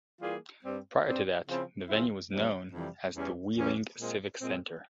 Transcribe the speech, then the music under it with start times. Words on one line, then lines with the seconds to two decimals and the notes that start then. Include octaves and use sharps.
Prior to that, the venue was known as the Wheeling Civic Center.
0.21 E3 G3 A#3 F4 G#4
0.63 G2 G3 C4
1.04 G2 G3 C4
1.47 C#3 F3 C4 E4
1.89 C#3 F3 C4 E4
2.31 F2 C3 E3 G3
2.73 F2 C3 E3 G3
3.15 E2 E3 G3 C#4
3.57 E2 E3 G3 C#4
3.99 A#2 G#3 C4
4.41 A#2 G#3 C4